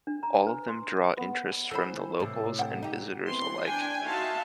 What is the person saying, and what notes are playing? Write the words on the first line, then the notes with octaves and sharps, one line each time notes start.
All of them draw interest from the locals and visitors alike.
D4
A#5
G#5
B4
C6
B3
E3 A4 C5 B5
A2 C3 E3
F#5 G5
D#4 G4
E3 B3 C4 C6
D4 G5 G#5
D#4 F#4 E5 F5 A5 C6